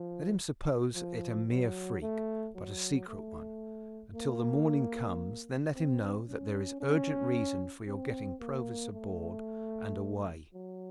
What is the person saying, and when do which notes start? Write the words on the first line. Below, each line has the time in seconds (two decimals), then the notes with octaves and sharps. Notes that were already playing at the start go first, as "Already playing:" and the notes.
Let him suppose it a mere freak, but a secret one, until the morning comes: then let him know that there is urgent reason for your getting Provis aboard and away.
Already playing: F3
0.95 F3
1.49 F#3
2.02 A3
2.55 F#3
3.08 A3
4.15 A#3
5.74 C4
6.27 C#4
6.80 C#4
7.87 C4
8.40 A#3
8.92 A3
10.53 F#3